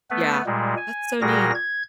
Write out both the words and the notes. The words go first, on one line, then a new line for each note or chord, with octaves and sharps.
Yeah. That's so neat.
A3 B3 B4
A#2 G3 G#3
G#5
A#2 G3 F#4 G#4 A#4 A#6
G#6